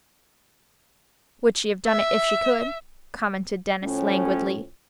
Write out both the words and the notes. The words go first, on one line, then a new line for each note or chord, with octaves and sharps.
"Would she have done it if she could?" commented Denis, languidly.
E5
A2 F3 C#4